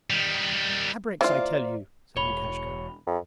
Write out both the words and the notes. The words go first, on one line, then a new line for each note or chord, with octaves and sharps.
'Abreks, I tell you!' said Lukashka.
D#3 G3
E3 A#3 F4 C5 D5
E1 C#5 B5 F7 G7
F2